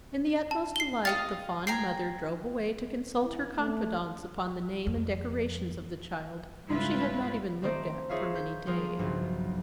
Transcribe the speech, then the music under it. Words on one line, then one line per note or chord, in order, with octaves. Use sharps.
In the utmost delight the fond mother drove away to consult her confidants upon the name and decorations of the child, whom she had not even looked at for many days.
A5
C7 G7
F4 D#5 F5 G5 A6
G5 G#5 A#5 C7
E3
A3
F2
G#2 C#3 G3 E4 F4 B4
D#3 A3 C4 D#4 C5 D5
D#4 F4 G#4 C#5 E5 F5
G6
F3 G3 B3 F4 G#4 A#4
F#1 B1 G2